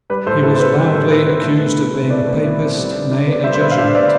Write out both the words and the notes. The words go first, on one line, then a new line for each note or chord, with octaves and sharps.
He was loudly accused of being a Papist, nay, a Jesuit.
G3 B4
A2 A4 C5
E4 A4
C5
B3 B4
G3
A2 A4 C5
E4 B4
B3 B4
A3
B2
E4
C4
A3 B4 D5
B2
E4
C4
G3
D3
D4
B3
D5
G3 C5 E5
C5
D3 B4 D5
F5
D4 C5 E5
B3 D5 F5